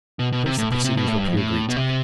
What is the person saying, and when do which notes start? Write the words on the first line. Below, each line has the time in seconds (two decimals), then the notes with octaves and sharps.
At first the proceedings were pure Greek to me.
0.19 B2
0.32 B2
0.46 C3
0.58 A2
0.72 B2
0.84 C3
0.97 B2
1.08 A2
1.18 G2
1.28 F2
1.37 A2
1.69 B2
1.77 C3